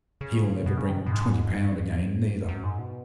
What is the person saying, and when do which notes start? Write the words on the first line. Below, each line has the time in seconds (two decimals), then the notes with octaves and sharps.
He'll never bring twenty pound again, neither.'
0.21 C#3
0.66 B2
0.78 C#3
0.89 D#3
1.01 C#3
1.06 B2
1.12 G#2
2.49 F#2
2.63 G#2
2.79 B2